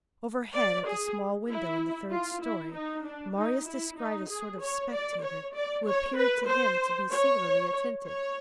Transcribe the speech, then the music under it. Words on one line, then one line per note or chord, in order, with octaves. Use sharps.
Overhead, at the small window in the third story Marius descried a sort of spectator who appeared to him to be singularly attentive.
D5
G#4
E4
F4
E4
D#4
D4
D#4
E4
D#4
G#4
C#5
D5
C#5
D5
C#5
B4
C5
C#5
C#5